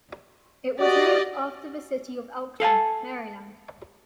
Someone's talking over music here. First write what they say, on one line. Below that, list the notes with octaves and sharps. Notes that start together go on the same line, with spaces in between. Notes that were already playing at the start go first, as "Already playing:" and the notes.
It was named after the city of Elkton, Maryland.
F#4 G4 D5 D#5
A4 F5 G#5 A5